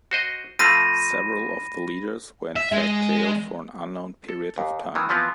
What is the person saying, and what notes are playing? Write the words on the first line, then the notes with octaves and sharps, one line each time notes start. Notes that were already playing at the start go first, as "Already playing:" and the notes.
Several of the leaders were in fact jailed, for an unknown period of time.
F#4 C5 D#5
F3 A3 F4 B5 A#6 D#7
E5
G#3
A4
D#2
D#3 E3
E3 F3 B3 C4 F4